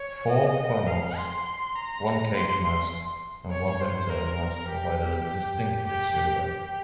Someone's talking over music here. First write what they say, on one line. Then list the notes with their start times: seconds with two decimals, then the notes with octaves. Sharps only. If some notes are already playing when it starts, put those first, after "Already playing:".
Four funnels, one cage mast, and one military mast provided a distinctive silhouette.
Already playing: C#5
0.29 D#5
0.87 F5
1.17 C6
1.76 A#5
2.34 C6
2.64 C6
3.51 C#5
3.80 C5
4.10 A#4
4.69 G4
5.86 G4
6.44 G4